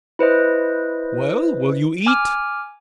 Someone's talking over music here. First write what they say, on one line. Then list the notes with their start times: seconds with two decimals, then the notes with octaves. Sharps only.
"Well, will you eat?"
0.19 E4 B4 C5 D#5
2.06 G#5 D6 F6